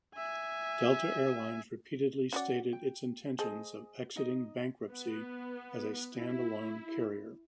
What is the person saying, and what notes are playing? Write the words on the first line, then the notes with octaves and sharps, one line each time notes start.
Delta Air Lines repeatedly stated its intentions of exiting bankruptcy as a stand-alone carrier.
E5 G#5
C#4 F#4 D5 F#5
G5
G#4 A4 C5 D#5
D#4 D#5
B3
E4